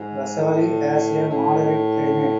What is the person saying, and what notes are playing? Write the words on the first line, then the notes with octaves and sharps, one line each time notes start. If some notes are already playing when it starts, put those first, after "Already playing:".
Kasauli has a moderate climate.
Already playing: G#2
A2
A2